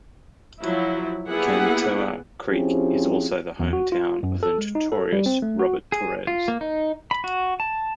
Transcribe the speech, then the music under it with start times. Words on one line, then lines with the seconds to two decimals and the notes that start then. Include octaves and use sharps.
Cantua Creek is also the home town of the notorious Robert Torres.
0.61 F3 F#3 E4
1.29 A#3 B3 E4 G4 G#4 F#5
2.49 F3 C4 C#4 E4 G4 G#4
3.59 E2
3.73 F#4
3.92 F4
4.23 F#2
4.43 A4
4.58 G#3
4.75 D#4
4.92 A4
5.13 G3
5.26 C4
5.42 A3
5.59 F#4
5.92 G#4
6.27 F4
6.48 A#3
6.61 D#4
7.11 B5
7.24 F#4
7.60 A5